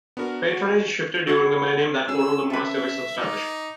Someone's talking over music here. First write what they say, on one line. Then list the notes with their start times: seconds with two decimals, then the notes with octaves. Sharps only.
Patronage shifted during the millennium that followed the monastery's establishment.
0.17 B3 D4 F#4 A#4
0.50 F#4
1.27 F#4 A4 F#5 E6 G#6
2.09 C#4 G#4 E6
2.50 A4 B4 E5
3.18 D#4 D6